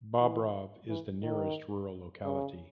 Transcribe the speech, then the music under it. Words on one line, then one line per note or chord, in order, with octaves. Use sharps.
Bobrov is the nearest rural locality.
E3
E3
D#3
C#3